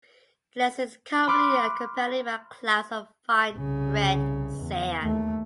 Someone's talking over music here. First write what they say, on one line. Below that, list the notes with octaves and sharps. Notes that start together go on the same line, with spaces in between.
The Leste is commonly accompanied by clouds of fine red sand.
B5 C6 D6 F6 F#6
C2 C#3
E2
D#2 A3